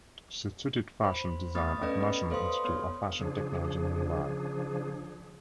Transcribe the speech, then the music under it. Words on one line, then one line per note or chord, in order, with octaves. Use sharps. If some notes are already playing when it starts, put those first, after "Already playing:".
She studied fashion design at National Institute of Fashion Technology in Mumbai.
C5 B5
A3 B3 B5 D#6 A6
C#4 A4 B4 D5 D#5
B5
A4 B4 C5 F5 C6 D#6
B3 C#5
C#3 F3 D4 G#4